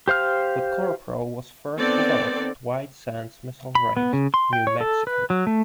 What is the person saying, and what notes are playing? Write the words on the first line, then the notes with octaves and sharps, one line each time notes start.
The Corporal was first developed at White Sands Missile Range, New Mexico.
G4 C5 F5 F6
D#3 B3 C4 A4 D5
B5
B3
C#3
C6
G5
C#5
A4
B4
F#3
A3